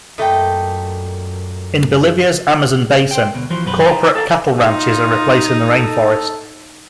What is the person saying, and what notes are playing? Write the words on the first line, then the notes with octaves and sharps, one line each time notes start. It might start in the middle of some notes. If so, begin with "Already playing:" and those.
In Bolivia's Amazon basin, corporate cattle ranches are replacing the rain forest.
F#2 A#2 A3 D#5 G5
C5 G5
D2 B2
E3 F3 F#4 C5
B1 F#2 F#3 B4 C5 B5
D#4 B4 C5 A#5
A4 F5 F#5 A#5
D#4 F4
A4